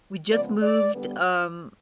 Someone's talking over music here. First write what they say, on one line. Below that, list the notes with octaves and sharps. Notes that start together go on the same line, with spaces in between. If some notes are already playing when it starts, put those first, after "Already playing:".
we just moved, um,
C#3 F3 G#3 B3 D5
D5
D3 G3 B3